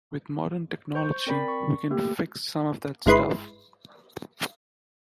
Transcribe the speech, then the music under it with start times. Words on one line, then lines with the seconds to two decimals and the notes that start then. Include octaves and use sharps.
With modern technology, we can fix some of that stuff.
0.95 C5 C#6 G6
1.27 C4 A#4 D5 B5 B6
1.48 C#6
1.90 A3 A#3 G4
3.06 G1 G#2 G#3 E4 B4 C6